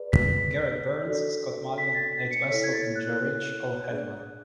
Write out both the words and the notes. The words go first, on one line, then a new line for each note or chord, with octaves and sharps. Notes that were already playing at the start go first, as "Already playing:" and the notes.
Garrett Byrnes, Scott Malyon, Nate Wessel and Joe Rich all had one.
Already playing: G#4 B4 D5
B6
D4 F#4 A4 D5
B6
A6
B6
C#7
E4 A4 C#5 B6
G#6
A6
F#6
D4 G#4 D5